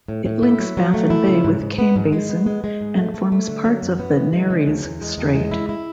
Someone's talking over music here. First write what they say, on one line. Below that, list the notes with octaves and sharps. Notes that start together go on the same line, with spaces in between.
It links Baffin Bay with Kane Basin and forms part of the Nares Strait.
A2
A2
E4
F#3
F#3
A3
E4
C#3
G#2
G#2
B3
G#2
G#3
B3
G#3
G#3
G#2
A3
A3
A3
D3
F#3
F#2
B3
E3
G#3
C#3
D2
E2
G#3
E2
G#3
E4
E4